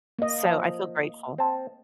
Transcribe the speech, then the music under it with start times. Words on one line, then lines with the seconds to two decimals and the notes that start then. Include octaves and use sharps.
So, I feel grateful.
0.19 A#3 D#5
0.43 F3
1.38 C4 A5